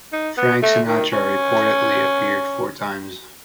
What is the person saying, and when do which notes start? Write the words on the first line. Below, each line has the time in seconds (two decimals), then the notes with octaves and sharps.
Frank Sinatra reportedly appeared four times.
0.13 D#4
0.37 B3
0.63 A3
0.87 D#3
1.13 C#4